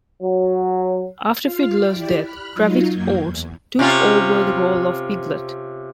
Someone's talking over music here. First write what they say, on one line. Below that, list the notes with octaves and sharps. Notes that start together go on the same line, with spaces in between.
After Fiedler's death, Travis Oates took over the role of Piglet.
F#3
F4 F5
E4 G4 D5
B5 F6 F#6
F#3 D#4 F4
F#2 F#3 A#3 G6 G#6
E2
C3 C#4 F4